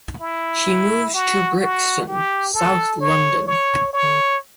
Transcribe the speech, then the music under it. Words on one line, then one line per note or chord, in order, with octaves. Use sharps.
She moved to Brixton, South London.
E4
F#4
F#4
G4
A4
C#5
C#5
C#5